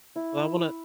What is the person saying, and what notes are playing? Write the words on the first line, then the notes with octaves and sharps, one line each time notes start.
Well, I wanna
E4